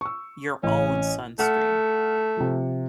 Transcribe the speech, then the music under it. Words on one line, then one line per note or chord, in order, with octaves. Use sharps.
your own sunscreen,
C#6 E6
A1 C#4
A3 F#5 F6 C#7
C3 F3